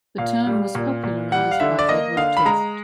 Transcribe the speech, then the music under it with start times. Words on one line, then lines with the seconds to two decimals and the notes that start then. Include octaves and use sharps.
The term was popularized by Edward Tufte.
0.18 A#2 F5
0.47 G3
0.75 A#2
1.04 A#2
1.32 G3 F#5
1.51 F5
1.60 D3 E5
1.79 D5
1.89 A#3 D#5
2.16 D3 F5
2.37 B5
2.45 G#3 A#5